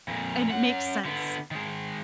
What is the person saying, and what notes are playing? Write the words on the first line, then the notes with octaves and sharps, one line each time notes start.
and it makes sense.
F2 A#2
C#4 F#5
D3 B3
D#3 G#3